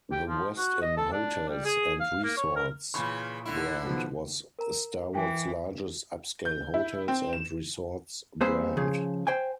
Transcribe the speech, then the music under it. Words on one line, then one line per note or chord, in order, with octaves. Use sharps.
The Westin Hotels and Resorts brand was Starwood's largest upscale hotels and resorts brand.
G4
F3
F#4
D#5
A4
D4
G3
G#4
F5
A#3
C#5
A#4
A#2 C#3 E3 B5 C#6
D3 E4
B2 D#3 F3
A#4 A#5
E3 G5 G#5 D6
G6
E4
C4
E7
G3 A#3 C4 G#4 B4 C5
C#3 F3 G#4
C5 G5 G#5